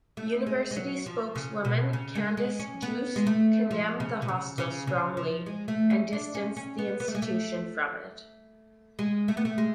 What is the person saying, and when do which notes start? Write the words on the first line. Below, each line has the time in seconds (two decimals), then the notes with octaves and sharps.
University spokeswoman Candice Jooste condemned the hostel "strongly" and distanced the institution from it.
0.17 A3
0.47 G#3
0.71 G#3
0.76 F#3
1.06 F3
1.36 C#3
1.65 B2
1.93 C#3
2.15 G#3
2.37 G#3
2.59 C#4
2.82 B3
3.16 G#3
3.27 A3
3.71 F3
4.00 C#3
4.22 B2
4.28 C#3
4.58 C#3
4.87 C#3
5.17 F3
5.46 G#3
5.68 A3
5.90 C#4
6.13 D4
6.35 C#4
6.57 C#4
6.78 B3
7.00 B3
7.08 A3
7.15 G#3
7.22 A3
8.99 G#3
9.28 A3
9.37 B3
9.45 A3
9.58 G#3